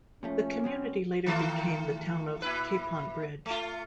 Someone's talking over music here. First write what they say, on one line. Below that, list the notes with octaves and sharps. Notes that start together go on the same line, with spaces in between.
The community later became the town of Capon Bridge.
A#2 F3 A3 C#4
B2 F#3 C4
D#3 A3 F4
A#2 E4 B4
A3 F4